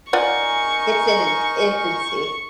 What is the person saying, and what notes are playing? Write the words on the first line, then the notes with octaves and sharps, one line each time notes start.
it's in an infancy.
D#4 F4 A#4 D5 F#5 G#5 C#6